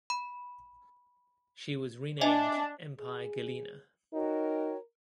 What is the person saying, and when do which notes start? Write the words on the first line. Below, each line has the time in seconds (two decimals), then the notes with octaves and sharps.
She was renamed "Empire Galena".
0.10 B5
2.21 D4 D#5 E5 G#5
2.99 G#4
4.13 D#4 F#4 A#4 C#5 G5